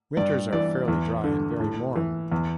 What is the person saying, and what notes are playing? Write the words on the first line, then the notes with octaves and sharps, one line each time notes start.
Winters are fairly dry and very warm.
G2 D5
E3 D5
E2
D3
A2
E3
E2